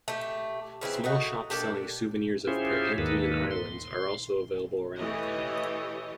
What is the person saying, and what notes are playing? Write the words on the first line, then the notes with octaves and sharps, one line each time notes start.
Small shops selling souvenirs of Perhentian Islands are also available around the town.
A3 G4
C#3 E3 A3 C4
A3 D#4 F#4
A#3 D4 G4 A4
C#4 E4 F4 G4 G#4 C5
D#2 G#2 D#3 A#3 A4 B4
C6
E3 A3 G4 C#5 D#5